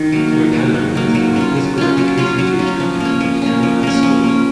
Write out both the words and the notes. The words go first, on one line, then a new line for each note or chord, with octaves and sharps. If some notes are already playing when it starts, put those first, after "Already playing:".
Giordano is now a physical education teacher at Buchanan High School.
Already playing: D#3
F#3 A#3
D#3
F#3 A#3
D#3
F#3 A#3
F#3
C#4 F4
F#3
C#4 F4
F#3
C#4 F4
F#3
C#4 F4
F3
A#3 C#4
F3
A#3 C#4
F3
A#3 C#4
F3
A#3 C#4